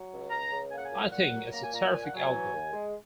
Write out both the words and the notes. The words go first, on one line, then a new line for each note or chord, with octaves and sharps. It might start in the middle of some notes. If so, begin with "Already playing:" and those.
I think it's a terrific album.
Already playing: F#3
C#2
C#2 A#5
C#3
A#3 G#5
F#5
G#5
A#2
A#2 F#5
F#3
A#3 A#5
G#5
A#2 A#5
A#2 G#5
F#5
F#3 G#5
E3
D#2
G#3